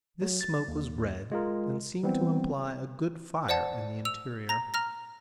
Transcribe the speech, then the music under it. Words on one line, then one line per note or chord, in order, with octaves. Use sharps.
This smoke was red, and seemed to imply a good fire in the interior.
F#3
A6
D#2
G#3 F4 A#4
E3 G3 B3 C4
C5 D5 F#5 A5
E6 F7
A#5 A#6
A#5 F6 A#6